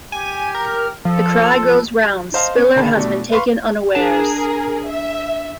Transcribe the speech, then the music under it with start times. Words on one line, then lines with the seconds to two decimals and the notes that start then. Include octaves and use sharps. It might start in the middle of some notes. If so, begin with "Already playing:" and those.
The cry goes round: 'Spiller has been taken unawares'.
0.12 G4 G#5
0.54 A#4
1.05 F3 A4
2.34 C5 D#5 F5 A5
2.56 C#4
2.76 D3 D#3 G#4 A5 B5
2.96 B2 G3 A3 D4
3.32 B4 F5 C6 C#6
3.95 D4 G#4 A#4 A5
4.87 E5